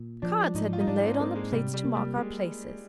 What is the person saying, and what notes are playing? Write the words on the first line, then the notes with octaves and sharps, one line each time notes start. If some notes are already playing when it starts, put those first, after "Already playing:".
Cards had been laid on the plates to mark our places.
Already playing: A#2
F3 D4
G#2 D#4
F4
D#4
G#2 D4
D4
C4
A#3 C4
G#3
C3 G3
G3
A#3
G3
G#3 A#3